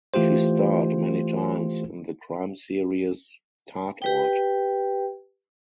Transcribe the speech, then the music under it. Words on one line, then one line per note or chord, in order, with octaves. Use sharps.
She starred many times in the crime series "Tatort".
E3 A3 F4 G4 C5
G4 B4 G5